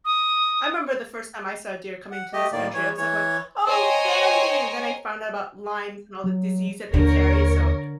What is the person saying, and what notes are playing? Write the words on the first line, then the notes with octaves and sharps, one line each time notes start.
I remember the first time I saw a deer coming to this country, I was like going, "Oh, Bambi" and then I found out about Lyme and all the disease that they carry, so
D#6
F#5
A3 G4 D#5
A2 D#3 A#3 D5
E3 C#5
E3 C#5
C5 C#5 D#5 G5 G#5 A#5
F#3
D#2 D3 A#4 C#5